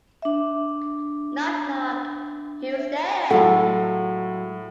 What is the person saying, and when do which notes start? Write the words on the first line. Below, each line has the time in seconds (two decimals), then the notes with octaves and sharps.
Knock Knock, Who's There?
0.22 D4 E5
3.31 A2 F#3 G#3 F4 A4 F#5